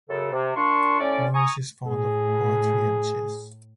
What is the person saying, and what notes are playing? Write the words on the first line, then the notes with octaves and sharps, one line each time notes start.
Moroz is fond of poetry and chess.
F#2 C#3 A4
C3
A#2 D4 C6 C#6
A2 C#4 D5
G#5 A#5 C#6 D#6
A2 G#4